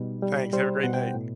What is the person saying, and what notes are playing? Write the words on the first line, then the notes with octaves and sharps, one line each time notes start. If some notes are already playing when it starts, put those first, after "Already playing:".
Thanks, have a great night.
Already playing: B2 G3 D#4
G3
G3 C5
B2 F#5
G5
A2